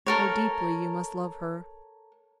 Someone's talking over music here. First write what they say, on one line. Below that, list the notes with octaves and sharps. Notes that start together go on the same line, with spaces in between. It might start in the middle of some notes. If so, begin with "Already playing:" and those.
How deeply you must love her.
A4 A#4 C#5